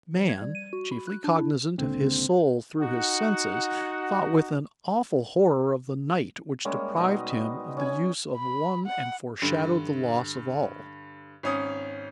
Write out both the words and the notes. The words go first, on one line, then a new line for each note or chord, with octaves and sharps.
Man, chiefly cognizant of his soul through his senses, thought with an awful horror of the night which deprived him of the use of one and foreshadowed the loss of all.
F3
G#6
G3
D#7
F#4
B5
F#6
D4
E4
C#2 A#2 D3 C4
D#4 F#4 F#5
G3 G#3 A#3 C#4
B2 D#4 D#5
C#4 G#5
B5
F#5
G2 D3
G#1 C#4 D#6